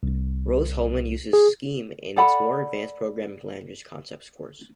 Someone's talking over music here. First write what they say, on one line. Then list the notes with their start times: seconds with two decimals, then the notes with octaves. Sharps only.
Rose-Hulman uses Scheme in its more advanced Programming Language Concepts course.
0.03 C2
1.33 G#4
2.16 A4 D5 F#5 B5